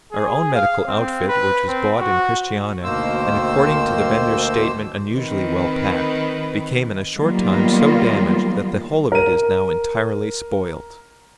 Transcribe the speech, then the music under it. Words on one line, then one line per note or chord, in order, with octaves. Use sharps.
Our own medical outfit, which was bought in Christiania, and according to the vendor's statement unusually well packed, became in a short time so damaged that the whole of it is now entirely spoilt.
G#4
F5
C4
B4
C4
F#4
D2 B2 D#3 A#3 C5 E6
D#3 C4 B4
D#3 F#3 G3 A#3 B3 F4
A#4 D#7